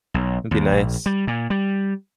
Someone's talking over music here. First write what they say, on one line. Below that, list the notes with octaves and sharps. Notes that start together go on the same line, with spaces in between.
It'd be nice.
B1
D#2
A#1
G3
A#2
G3